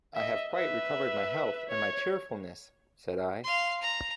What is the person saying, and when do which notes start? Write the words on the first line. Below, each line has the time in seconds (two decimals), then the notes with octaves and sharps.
"I have quite recovered my health and my cheerfulness," said I.
0.15 D#5 E5
0.54 B4 E5
1.69 C#5
3.44 F5 C6
3.81 A#5